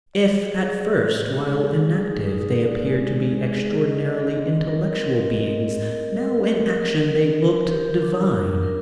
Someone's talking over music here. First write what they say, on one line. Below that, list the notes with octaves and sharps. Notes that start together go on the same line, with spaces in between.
If at first while inactive they appeared to be extraordinarily intellectual beings, now in action they looked divine.
D5
G#4
D5
G#4
G#3
G#4
D#4
D#4
D5
G#3
G#3
G#4
D#5
D#5
C4
A#4
C4
D#5
C4
A#4
A#4
G4
A#4
A#4
A#4
G4
D4
G4
A#4